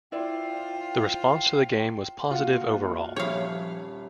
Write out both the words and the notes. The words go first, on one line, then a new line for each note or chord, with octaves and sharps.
The response to the game was positive overall.
E4 F4 C5 D5 G5
A#3 F4 F#4
D#1 F3 C#5 E5 F5 B5